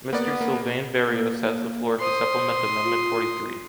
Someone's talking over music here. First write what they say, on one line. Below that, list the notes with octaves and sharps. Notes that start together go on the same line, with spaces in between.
Mr Sylvain Berrios has the floor to support amendment forty-three.
A#3 B3 D5
A#3
A#3
C5 C6 D#6
F4